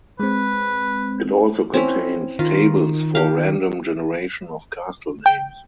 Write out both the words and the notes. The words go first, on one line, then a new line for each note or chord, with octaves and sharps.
It also contains tables for random generation of castle names.
G#3 C4 B4
C4 C#4 E4
D#3 F4
G4 F5
G5